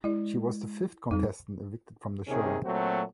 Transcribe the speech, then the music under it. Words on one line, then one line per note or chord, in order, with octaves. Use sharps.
She was the fifth contestant evicted from the show.
G#3 E4 D5
F2 G3 D#4
D#2 C3 D#3 C#4 G#4
A#2 F#3 A3 C4 F#4